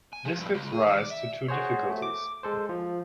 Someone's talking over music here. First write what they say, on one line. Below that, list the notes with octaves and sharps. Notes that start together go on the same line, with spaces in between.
This gives rise to two difficulties.
G#5
F3
G2
C#2
G#4
D#3
D5
E5
F#4 G#4 C5 C#5
A3
D6
G#3 A4 C5
F3